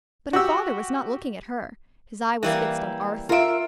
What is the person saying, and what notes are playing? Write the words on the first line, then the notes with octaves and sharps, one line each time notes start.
But her father was not looking at her; his eye was fixed on Arthur.
F#4 G4 E6
E3 G3 A#3
F4 A#4 E5 D7